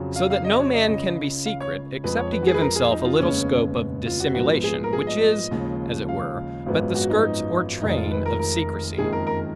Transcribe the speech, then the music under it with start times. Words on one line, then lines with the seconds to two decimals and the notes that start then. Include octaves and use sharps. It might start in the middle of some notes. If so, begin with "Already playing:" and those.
So that no man can be secret, except he give himself a little scope of dissimulation; which is, as it were, but the skirts or train of secrecy.
Already playing: F2 C#3 F#3
0.16 F5
0.30 F5
0.44 D#5
0.59 C#5
0.73 D#5
0.88 C#2 C#3 G#3
1.46 F5
1.60 C#5
2.04 F2 F3 G#3 B4
2.18 C#5
2.32 B4
2.43 F#4
2.47 G#4
2.54 B4
2.61 A#4
2.75 G#4
2.91 D#4
3.01 D#4
3.05 F4
3.19 F1 D#2 C#3 G#3 B3 C#4
4.06 F4
4.20 F#4
4.34 A#1 G#2 F3 B3 F#4
4.64 G#4
4.84 A#4
4.93 G#4
5.07 D#5
5.21 D#5
5.51 D#2 C#3 F3 G#3
6.09 F5
6.66 G#1 F#2 F3 G#3 B3
6.95 F#4
7.10 D#4
7.82 F1 F2 D#3 G#3 D#4
7.96 F4
8.11 B4
8.26 A#4
8.39 A#4
8.98 F#1 F2 D#3 G#3 G#4
9.13 A#4
9.27 A#4